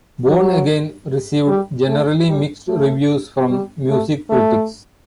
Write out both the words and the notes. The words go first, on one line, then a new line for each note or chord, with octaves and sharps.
"Born Again" received generally mixed reviews from music critics.
F#3
G3
A3
G3
A3
G3
A3
A3